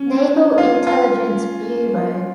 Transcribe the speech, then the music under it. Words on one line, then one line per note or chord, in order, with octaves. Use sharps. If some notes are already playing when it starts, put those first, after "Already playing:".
Naval Intelligence Bureau.
Already playing: C#4
F4
F4